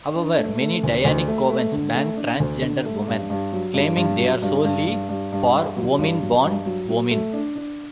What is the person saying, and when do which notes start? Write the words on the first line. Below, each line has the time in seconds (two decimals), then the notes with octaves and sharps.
However, many Dianic covens ban transgender women, claiming they are solely for womyn-born-womyn.
0.15 D4
0.38 A3
0.60 A3
0.83 D2
1.05 D2
1.28 A3
1.50 A3
1.72 D3
1.95 A3
2.17 D4
2.40 D2
2.62 D3
2.85 A3
3.07 G2
3.30 G2
3.53 F#3
3.74 G2
3.96 G2
4.19 F#3
4.42 G2
4.64 G2
4.87 G2
5.09 G2
5.32 G2
5.54 G2
5.77 F#3
5.99 G2
6.22 F#3
6.44 G2
6.66 F#3
6.89 F#3
7.11 A3
7.33 D4
7.56 D4